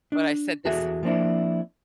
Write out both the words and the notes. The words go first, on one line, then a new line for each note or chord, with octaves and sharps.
But I said this
D4
E2 F#4 G#4 A4 E5
F3 A#3 C4 D4 E4